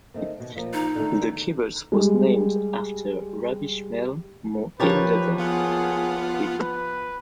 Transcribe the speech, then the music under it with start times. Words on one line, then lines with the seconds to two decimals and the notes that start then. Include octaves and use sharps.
The kibbutz was named after Rabbi Shmuel Mohilever.
0.14 D#3 A3 C4
0.40 B2
0.55 A#2 F3 A#3
0.73 D#4
0.96 D3 D#3 A3
1.92 G3 G#3
4.80 F3 G4 A#4 B4 C#5 A5
5.38 B3 F4 G#4 F#5
6.61 B4